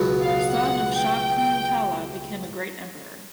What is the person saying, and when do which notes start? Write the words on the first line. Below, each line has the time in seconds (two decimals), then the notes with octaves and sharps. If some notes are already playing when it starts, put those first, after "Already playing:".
Son of Shakuntala became a great emperor.
Already playing: C#2 B2 F#3 B3
0.22 F5
0.51 F#5
0.95 G5
1.39 G5